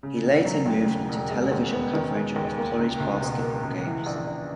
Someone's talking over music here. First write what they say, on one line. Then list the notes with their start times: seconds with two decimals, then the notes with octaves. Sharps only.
He later moved into television coverage of college basketball games.
0.03 C#3
0.23 E1
0.45 F#3
0.66 D#2
0.87 C#3
1.09 E1
1.31 G#3
1.52 D#2
1.73 B3
1.94 D#3
2.15 G#3
2.36 D#2
2.58 A#3
2.79 C#2
3.00 C#2
3.21 B2
3.42 A#3
3.64 C#2
3.85 E3
4.06 A#1
4.27 A#1